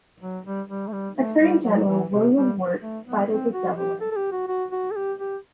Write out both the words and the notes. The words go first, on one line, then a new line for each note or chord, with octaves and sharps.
Attorney General William Wirt sided with Delaware.
F#3
G3
G3
A3
G3
A3
G3
F#3
E3
C3
G3
A3
B3
C4
F#4
G4
A4
A4
G4
F#4
F#4
F#4
A4
G4
G4